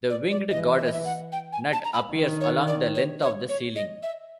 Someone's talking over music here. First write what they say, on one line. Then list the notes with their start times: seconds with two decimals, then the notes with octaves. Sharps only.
The winged goddess Nut appears along the length of the ceiling.
0.10 D5
0.31 D5
0.51 E3 D#5
0.78 E5
0.85 D#5
0.93 E5
1.05 F#5
1.32 G5
1.53 G#5
1.73 A5
1.84 A#5
1.93 B5
2.13 D#3
2.41 C#5
2.67 D5
2.95 C#5
3.22 C#5
3.49 C#5
3.76 D#5
4.03 E5